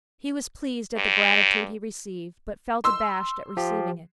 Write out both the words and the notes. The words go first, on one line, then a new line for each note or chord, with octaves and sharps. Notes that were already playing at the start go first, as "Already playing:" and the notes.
He was pleased at the gratitude he received, but felt abashed at receiving it.
G2
C6 E6
F3 G4